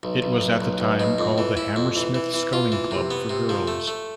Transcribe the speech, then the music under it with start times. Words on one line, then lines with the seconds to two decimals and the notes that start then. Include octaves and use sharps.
It was at the time called the Hammersmith Sculling Club for Girls.
0.03 B1
0.22 B1
0.41 B1
0.61 B1
0.80 B1
1.00 B2
1.18 F2
1.38 E3
1.57 E4
1.76 F2
1.96 E3
2.14 E3
2.34 E3
2.53 F4
2.72 E3
2.91 C3
3.11 B3
3.29 C3
3.49 F3
3.68 A3
3.87 A3